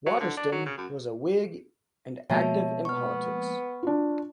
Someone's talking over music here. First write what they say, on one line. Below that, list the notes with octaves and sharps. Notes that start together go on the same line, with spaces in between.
Watterston was a Whig and active in politics.
F#3
D3
D4
F#3
C#3
F#2
B2 F3 G#3 A#3 C#5 E5 A5
B3 C#6 F6
D4 F4